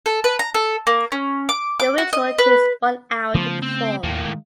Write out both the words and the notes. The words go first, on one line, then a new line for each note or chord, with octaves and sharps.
The ritual takes one hour to perform.
A4
B4
A#5
A4
A#3
C#4
D6
D6
F#4
D#5
B4
C#3 F3 A3 B3
C4
D#2 A2 A#3
D#3 G#3